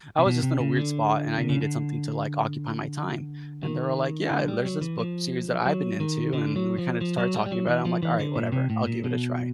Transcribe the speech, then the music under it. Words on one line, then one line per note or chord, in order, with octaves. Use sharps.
I was just in a weird spot and I needed something to, like, occupy my time, and they were like, "Yeah, there's this book series that I've been into" and we kinda started talking about it, I'm like, "Alright, whatever, I'll give it a try."
C3
B2
C3
C#3
D3
C3
C#3
D3
D#3
D3
G3
F#3
E3
F3
F#3
D#3
D3
F#3
F3
F3
F#3
G3
G3
F#3
E3
F3
E3
D3
A#2
C3
A2
A#2
B2